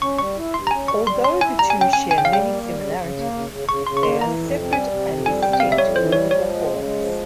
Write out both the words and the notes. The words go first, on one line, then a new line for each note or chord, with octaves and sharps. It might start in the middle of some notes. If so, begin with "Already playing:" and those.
Although the two share many similarities, they are separate and distinct musical forms.
C#4 C#6
G3 C#6
E4
G2 C6
A#5
C#4 G#5
G3 C#6
G3 C6
C#4 C6
E4 G#5
G3 A#5
G#5
C#4 G5
C#4 G#5
C#3 G#5
G5
F5
G3 G5
A#3
G3
C#3
C#3
A#3
C#3
C#3
C#3 C#6
C#3 C6
C#6
A#3 C6
E3 A#5
F2
C3
G3 G#5
C3
F2
G3 G#5
C3 G5
G5
G3 F5
E5
F2 C#5
E3 C5
G3 C#5
F3 C#5
G#3
C#3
G#3
F3